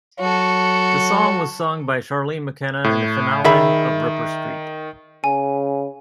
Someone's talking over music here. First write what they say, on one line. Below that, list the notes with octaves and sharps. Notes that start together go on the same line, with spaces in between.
The song was sung by Charlene McKenna in the finale of "Ripper Street".
F#3 F#4 A4
A2
D#3 G#4 E5 B5
C#3 G#5